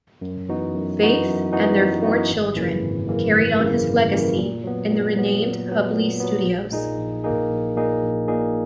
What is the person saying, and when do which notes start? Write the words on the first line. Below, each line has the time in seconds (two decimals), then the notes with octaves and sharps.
Faith and their four children carried on his legacy in the renamed Hubley Studios.
0.21 F#2
0.49 E3 B3 D#4 F#4
0.74 F#2
1.00 E3 B3 D#4 F#4
1.26 F#2
1.52 E3 B3 D#4 F#4
1.78 F#2
2.04 E3 B3 D#4 F#4
2.30 G#1
2.56 F#2 C#3 E3 A#3
2.82 G#1
3.08 F#2 C#3 E3 A#3
3.35 G#1
3.60 F#2 C#3 E3 A#3
3.86 G#1
4.12 F#2 C#3 E3 A#3
4.38 A#2
4.64 F#3 B3
4.90 A#2
5.16 F#3 B3
5.42 A#2
5.68 F#3 B3
5.93 A#2
6.20 F#3 B3
6.46 A#1
6.72 A#2 A#3 D#4 G#4
6.98 A#1
7.24 A#2 A#3 D#4 G#4
7.50 A#1
7.76 A#2 A#3 D#4 G#4
8.02 A#1
8.28 A#2 A#3 D#4 G#4